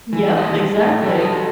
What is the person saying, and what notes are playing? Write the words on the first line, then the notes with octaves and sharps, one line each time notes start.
Yep, exactly,
E3
D#2 E3 C5 D#5
A2
D3 E3 G3 G4
F#4 A4 D#5